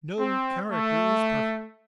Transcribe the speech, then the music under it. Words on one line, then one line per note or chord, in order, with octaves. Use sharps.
No character is perfect.
C4
A3